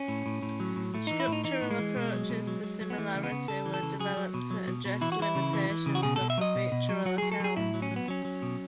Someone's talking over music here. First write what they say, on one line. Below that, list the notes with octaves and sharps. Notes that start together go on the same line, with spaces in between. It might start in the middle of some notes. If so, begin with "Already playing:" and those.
Structural approaches to similarity were developed to address limitations of the featural account.
Already playing: C#4
A2
A2
A2
F#3
A2
A2 A3
E3 D#4
E4
A2
D#4
E3 D#4
A2
G#3
E3
B2
F#3
B2
F#3
F#3
F#3
B3
E3 A3
C#3
B3
C#3
C#3 A4
E3
A4
C#3
F#3 G#4
F#3
B2
F#3
B2
B2
E3 E4
F#4
E3 E4
C#3
E3
E3
C#3
F#4
B2 G#4
B2 A4
E5
F#3 D#5
B2
B2
F#3
F#3 F#4
F#3 G#4
A4
F#3 G#4
A2 E4
F#3
C#4
F#3
B3
F#3 C#4
F#3
B2